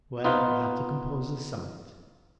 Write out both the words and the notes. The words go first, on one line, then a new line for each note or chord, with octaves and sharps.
Well, you have to compose a sonnet.
B3 D#4 F4 B4